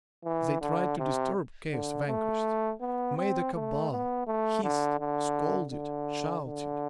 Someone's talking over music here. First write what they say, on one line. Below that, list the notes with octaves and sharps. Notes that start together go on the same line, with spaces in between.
They tried to disturb "Chaos Vanquished;" made a cabal, hissed, scolded, shouted!
E3
D3
C3
D3
A3
B3
C4
A3
B3
A3
D3
D3
D3
D3